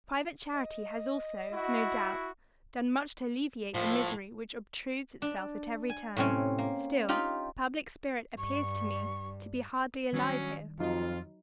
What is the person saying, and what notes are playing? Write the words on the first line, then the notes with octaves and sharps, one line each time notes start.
Private charity has also, no doubt, done much to alleviate the misery which obtrudes itself at every turn; still, public spirit appears to me to be hardly alive here.
D#5
E4 F#4
A2 F3
D4
G#5
A2 C3 C4 C#4
A#3
D#4 F4 G4 B5
G2 G3 C#6
D#3 F#3 G3 C#4 D4
F2 F#3 D#4 F4